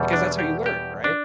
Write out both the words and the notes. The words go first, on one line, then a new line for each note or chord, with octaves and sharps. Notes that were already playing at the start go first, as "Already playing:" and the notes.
Because that's how you learn, right,
Already playing: E2 B2 G3
D4
G4
G4
D4